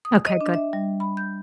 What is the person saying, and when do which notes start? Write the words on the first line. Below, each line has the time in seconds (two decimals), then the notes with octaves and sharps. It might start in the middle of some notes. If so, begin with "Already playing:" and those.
Okay, good.
0.05 D#6
0.27 D#5
0.41 D4
0.54 E5
0.73 G3
1.00 B5
1.17 G6